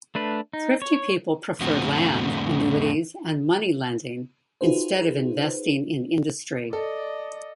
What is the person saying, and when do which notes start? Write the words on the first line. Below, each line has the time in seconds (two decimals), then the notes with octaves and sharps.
Thrifty people preferred land, annuities and money lending instead of investing in industry.
0.15 A3 D4 B4
0.53 D#4
0.82 C#5
1.60 F2 A2 D3 C4 F#4
4.61 D#4 F4 F#4 G#4 B4 C5
6.73 A4 D5 D#5